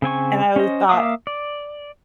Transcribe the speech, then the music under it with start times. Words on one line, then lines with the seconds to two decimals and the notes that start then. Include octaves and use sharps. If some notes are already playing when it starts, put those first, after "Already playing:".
and I w thought
0.02 C#3 C4 G#5 C#6
0.56 C#4 C5 D#5
0.89 A#3 E5 F5 D6 D#6
1.27 D5